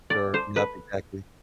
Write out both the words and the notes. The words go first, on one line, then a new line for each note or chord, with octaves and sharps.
Ter nup, exactly.
D5
C5
B4